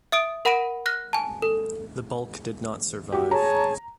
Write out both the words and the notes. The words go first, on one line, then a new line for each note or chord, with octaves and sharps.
The bulk did not survive.
E5 D#6 D7
A#4 F#5 B5 A#6 D7 D#7
F6 F#6 A#6
G#5 A5
A4
F#4 G4
G#4 C#5 A5 A#5